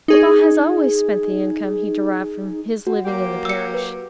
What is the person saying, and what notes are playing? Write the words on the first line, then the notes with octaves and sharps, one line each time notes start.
'Papa has always spent the income he derived from his living in the parish.
D#4 G#4
F#4
F#3 A#3 G4
E6 C#7
B4